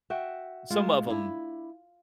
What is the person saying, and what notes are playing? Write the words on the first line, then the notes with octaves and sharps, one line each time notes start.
some of 'em
F#4 E5 G5
G#3 A3 F4
D4 E4